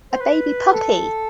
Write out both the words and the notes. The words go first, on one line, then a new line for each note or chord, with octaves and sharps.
A baby puppy!
C5
B4
A4